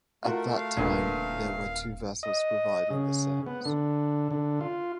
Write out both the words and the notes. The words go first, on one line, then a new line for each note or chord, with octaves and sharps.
At that time, there were two vessels providing the service.
A3 F4 F#4 A#4
F5
D#1 A#2 D3 B3
D#5
C#3
B3
D3
D3
F4